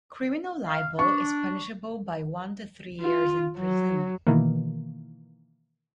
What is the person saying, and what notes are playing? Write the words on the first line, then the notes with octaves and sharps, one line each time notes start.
Criminal libel is punishable by one to three years in prison.
F5
D4 C#6
F4
F#3
B2 D#3 E3 A#3